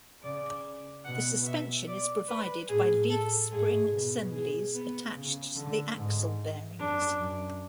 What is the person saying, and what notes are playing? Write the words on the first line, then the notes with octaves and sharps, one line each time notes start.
The suspension is provided by leaf spring assemblies attached to the axle bearings.
C#3 D5
B2 F#5
E5
D5
B4
A2 G#4
A4
G#2 G#4
B2
G#4
B3
C#3
D3
G#2
F#2 D4
F#2